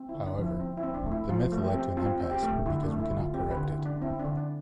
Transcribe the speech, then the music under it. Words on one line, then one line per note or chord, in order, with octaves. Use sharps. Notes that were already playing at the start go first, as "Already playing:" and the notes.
However, the myth led to an impasse because we cannot correct it.
Already playing: C4
E4
D3
D4
F3
E4
C4
E4
C4
D4
A3
E4
F3 F4
A3
G4
C4
C4 F4
C4
G4
A3
D3 E4
D4
A3
E4
D3
F4
C4 G4
B4
D3
E4
D3
D4
C4 E4
D4
D3
D4